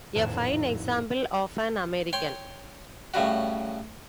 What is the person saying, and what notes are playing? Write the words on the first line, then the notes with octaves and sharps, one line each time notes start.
A fine example of an American.
D#1 F2 A2 E7
C#5 G5 C6
A2 C#3 G3 F#4